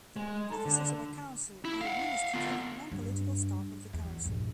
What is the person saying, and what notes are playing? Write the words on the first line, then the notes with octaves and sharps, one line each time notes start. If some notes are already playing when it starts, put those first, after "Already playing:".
Officers of a council are administrative, non-political staff of the council.
G#3
A4
D3
E4
F5 F#5
B3 F4
G2
E2
A#1 G2